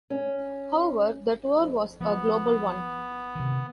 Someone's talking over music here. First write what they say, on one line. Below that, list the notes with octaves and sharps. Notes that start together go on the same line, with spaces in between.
However, the tour was a global one.
C#4
F2
F3 B3
C3 D#3